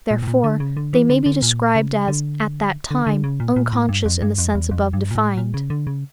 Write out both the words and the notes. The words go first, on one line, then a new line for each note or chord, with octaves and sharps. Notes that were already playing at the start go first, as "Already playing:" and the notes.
Therefore, they may be described as "at that time" unconscious in the sense above defined.
A#2
A2
A#2
D3
C#3
D3
E3
D3
D3
A#2
C#3
D3
D3
D3
C#3
A#2
A#2
A2
G2
F2
G2
F2
E2
F2
G2
A#2
A2
A#2
C#3
D3
C#3